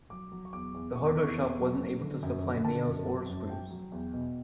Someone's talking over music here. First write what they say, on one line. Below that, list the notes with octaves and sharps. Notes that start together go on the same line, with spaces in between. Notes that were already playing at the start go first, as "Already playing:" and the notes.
The hardware shop wasn't able to supply nails or screws.
F#3 D6
F#3
C#6
E2 D6
E2
E2 C#6
D6
E2
C#6
E2
F#3
F#3
D3
F#2
D3
D3 A5
F#2
F#3
F#2
F#3 G5
F#3
E2
B2